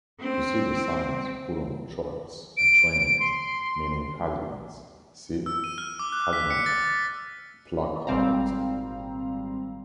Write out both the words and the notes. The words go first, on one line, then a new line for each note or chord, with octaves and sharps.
To see the signs put on trucks and trains meaning hazmats see: Hazmat Placards.
C4
D7
D7
C6
E6
D#7
F6
D6
F#6
B6
C#7
A6
G#1 A#2 G3 C4 F5 A#5